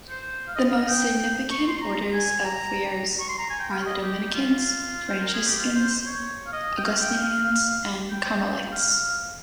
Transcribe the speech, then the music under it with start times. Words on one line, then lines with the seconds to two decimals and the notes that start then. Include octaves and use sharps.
The most significant orders of friars are the Dominicans, Franciscans, Augustinians and Carmelites.
0.09 C5
0.47 F5
0.56 D#5
0.66 F5
0.77 D#5
0.89 G5
1.51 C#6
1.67 C6
1.78 C6
1.82 A#5
2.13 G#5
2.41 G#5
2.44 A#5
3.20 C#6
3.29 C6
3.39 A#5
3.50 G#5
3.59 G5
3.70 F5
3.81 C#5
3.86 D#5
4.03 G4
4.34 F4
5.08 C5
5.21 A#4
5.33 G#4
5.47 G4
5.58 F4
5.75 C5
5.90 C5
6.06 C#5
6.46 F5
6.53 D#5
6.78 G5
6.84 F5
7.01 G5
7.16 F5
8.10 G5
8.72 F5